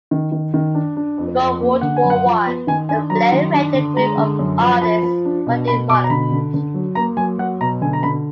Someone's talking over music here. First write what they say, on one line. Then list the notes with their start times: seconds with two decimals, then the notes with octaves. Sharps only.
Before World War One, the Blaue Reiter group of artists worked in Munich.
0.11 D#3
0.32 D#3
0.54 D#3
0.75 D4
0.96 D4
1.18 F2
1.39 F2
1.61 A#3
1.81 D3 F#5
1.96 G#5
2.03 F#2
2.10 F#5
2.25 F3
2.46 B3
2.67 D#3 G#5
2.89 D4 G#5
3.10 F#3 A#5
3.32 D#3
3.54 D4
3.74 D3
3.97 G#3 A#5
4.17 D3
4.39 F#2
4.60 F3
4.81 F3 B5
5.03 F3
5.25 D4
5.47 B2
5.68 B2 B5
5.90 B2 D6
6.04 A#5
6.10 D3 B5
6.32 D3
6.54 D3
6.74 F#3
6.95 A#3 A#5
7.17 F#3 G#5
7.38 F#3 F#5
7.60 B2 A#5
7.81 D3 G#5
7.93 A#5
8.03 D3 B5